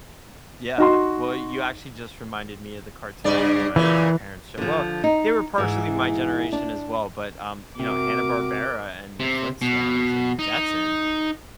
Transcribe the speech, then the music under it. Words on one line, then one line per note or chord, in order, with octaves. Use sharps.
Yeah. Well, you actually just reminded me of the cartoons from my my parent's show. Well, they were partially my generation as well, but, um, you know, Hanna-Barbera, and the Flintstones, and the Jetsons,
D#4 F#4 C6
G2 C#3 D5
A#2 C#3 E3
D3 F3
D#4
G#2 E3
D4
C3 F#4 A#4 D6
C3
B2
D#4